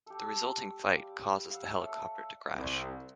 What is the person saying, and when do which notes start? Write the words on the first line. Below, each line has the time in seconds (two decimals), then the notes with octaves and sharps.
The resulting fight causes the helicopter to crash.
0.06 G4 A4
0.83 G3 F5 D6
1.51 F5 F#5 E6
1.79 A3 A4 C#5 D5
2.54 C2